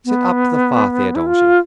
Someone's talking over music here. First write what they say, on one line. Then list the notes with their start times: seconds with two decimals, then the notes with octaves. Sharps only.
Sit up to the fire, Theodosia.
0.05 B3
1.16 E4
1.26 F4